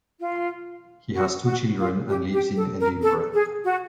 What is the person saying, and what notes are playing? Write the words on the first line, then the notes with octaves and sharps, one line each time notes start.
He has two children and lives in Edinburgh.
F4
F#4
F#4
F4
G4
G4
A4
A#4
A4
G#4
F#4